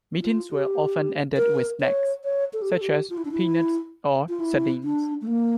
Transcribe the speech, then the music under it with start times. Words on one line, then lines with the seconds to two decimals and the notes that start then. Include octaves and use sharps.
Meetings were often ended with snacks, such as peanuts or sardines.
0.22 F4
0.51 G4
1.37 A#4
1.81 C#5
2.24 C#5
2.53 A4
2.62 G4
2.71 A4
2.81 G4
3.10 F4
3.17 E4
3.25 D4
3.31 E4
4.29 F4
4.40 E4
4.84 D4
5.22 A3
5.27 A#3